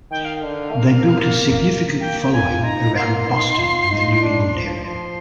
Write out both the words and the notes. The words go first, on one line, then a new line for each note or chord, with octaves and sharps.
They built a significant following around Boston and the New England area.
D#3 G5
F5
D3
F5
A#3
A#3 G5
G5
F4 G#5
D#4 A#5
A#3 C6
D#4
F4
D#4
D4
F3
F3 C6